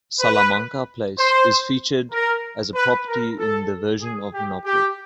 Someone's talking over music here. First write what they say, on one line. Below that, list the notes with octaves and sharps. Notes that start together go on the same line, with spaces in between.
Salamanca Place is featured as a property in the version of Monopoly.
B4
C5
A#4
B4
A#4
A4
G#4
G4
G4